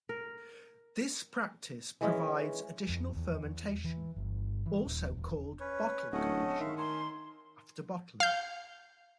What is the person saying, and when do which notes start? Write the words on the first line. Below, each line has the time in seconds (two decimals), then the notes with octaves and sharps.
This practice provides additional fermentation, also called bottle-conditioned, after bottling.
0.09 A#4
2.01 E3 G#3 C#4
2.89 F2
3.16 E2
3.84 E3
4.16 G1
4.66 E3
4.86 D#1
5.17 E1
5.60 C#4 B4 C#5
6.13 D1 A3 C#4 D#5 F#5
6.60 D#3 G#3 E5 F5
6.78 A#4 G#5 C6
8.20 F5 G6